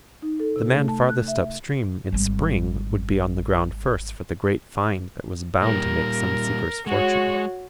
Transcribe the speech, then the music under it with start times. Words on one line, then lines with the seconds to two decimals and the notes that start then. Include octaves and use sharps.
The man farthest upstream in spring would be on the ground first for the great find that was bound to make some seeker's fortune.
0.22 D#4
0.40 A4
0.56 C3
0.74 A3
0.88 A5
1.10 F#6
1.28 E5
2.12 G#1 G3
5.62 A#2 G3 A#4
6.87 G#3 F#4 C#5